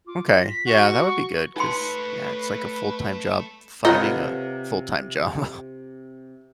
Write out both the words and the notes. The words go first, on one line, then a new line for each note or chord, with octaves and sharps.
Okay. Yeah, that would be good 'cause, yeah, it's like a full time job finding a full time job.
F4 D6
A#6
B6
F#4 F#5 C#6
A3 D#4 B4 C#5 G#5 C6
C3 D#4 F4 A4 B4 C#5 F#5